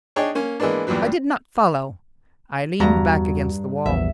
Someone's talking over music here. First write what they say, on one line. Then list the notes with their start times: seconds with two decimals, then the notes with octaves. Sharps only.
I did not follow, I leaned back against the wall.
0.16 D4 D#4 G#4 C#5 G5
0.35 A#3 C#4
0.60 E3 G#3 A#3 B3 D4
0.87 E2 G2 A#2 F#3 B3
2.80 E2 G2 F#4 A#5
3.86 A#1 E2 E5